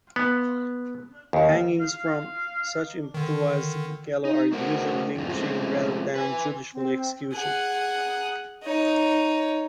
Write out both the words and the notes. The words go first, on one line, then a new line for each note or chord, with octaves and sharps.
Hangings from such improvised gallows are usually lynchings rather than judicial executions.
B3
D#2
F5
D3 D#3
D#4
A3 F#4 A#4 C5 F#5
E2 G2 F3
F3 G#3 A3 C4 C#4
B4 G#5
C4
G#4 F#5
D#4 C#5